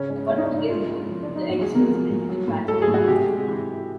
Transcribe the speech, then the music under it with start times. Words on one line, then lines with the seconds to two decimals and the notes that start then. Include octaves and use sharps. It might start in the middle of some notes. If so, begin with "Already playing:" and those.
According to Gilmour, the edition was printed in batches of eight.
Already playing: C#3 C#4
0.10 G#3 C#4
0.30 E3 C#4
0.38 D#4
0.43 D4
0.50 C#3
0.56 D#4
0.69 C3 F4
0.89 G#3 E4
1.09 F3
1.23 D4
1.29 C3
1.36 D#4
1.49 A#2 F#4
1.62 G#4
1.69 G#3
1.75 A#4
1.89 F3
2.09 A#2
2.29 F#3
2.48 A2
2.68 F#3 A4
2.82 G#4
2.88 A2
2.94 F#4
3.08 C3 G4
3.28 G#3
3.48 E3